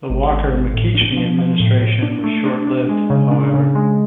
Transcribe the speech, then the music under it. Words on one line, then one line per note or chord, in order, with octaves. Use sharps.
The Walker-McKeachnie administration was short lived, however.
G#1
G#1
G#1
A2
D4
F3
F3
A2
A2
D4
A3
D4
D4
G#3
C#3
D4
C#3
G#3